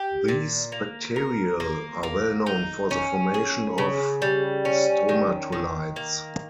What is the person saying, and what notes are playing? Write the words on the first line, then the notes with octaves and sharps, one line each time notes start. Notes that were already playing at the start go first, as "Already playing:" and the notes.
These bacterial are well known for the formation of stromatolites.
Already playing: G4
A#2
A#3
A#4
A#3
A#3
D#4
C#4
G#4
C#3
G3
C#4
D#3
D#3
A#3